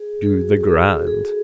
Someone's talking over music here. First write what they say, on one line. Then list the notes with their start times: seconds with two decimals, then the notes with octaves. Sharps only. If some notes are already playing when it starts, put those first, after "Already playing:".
Do the grand.
Already playing: G#4
0.23 G#4
0.29 F#4
0.61 A4
0.68 G#4
1.07 G#4